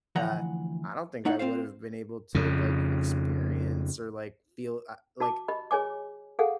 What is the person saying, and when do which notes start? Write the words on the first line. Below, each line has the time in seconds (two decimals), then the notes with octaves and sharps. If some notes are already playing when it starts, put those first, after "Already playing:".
that I don't think I would've been able to, like, experience or, like, feel, uh like,
0.16 D2 E3 F3 F#5 A#5
1.25 A2 D#4 F#5
1.39 C4 F4 C5 F5
2.35 F2 C#3
5.20 F#4 A5 D6
5.48 G4 D#5 B5
5.71 G#4 C#5 G#5 D6
6.39 G#4 A4 F5 F#5